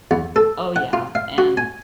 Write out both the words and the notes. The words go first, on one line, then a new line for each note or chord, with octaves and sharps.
Oh, yeah, and
E2
A4
F#5
F4
F5
F#4
G#5